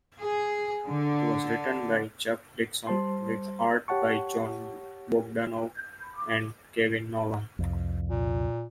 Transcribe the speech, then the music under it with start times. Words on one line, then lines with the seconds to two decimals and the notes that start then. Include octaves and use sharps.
It was written by Chuck Dixon, with art by Jon Bogdanove and Kevin Nowlan.
0.19 G#4
0.87 D3
2.87 G3 C5 A5 C6
3.88 G4 C#5 F#5 A5 C#6
7.59 C2 F2
8.09 A#2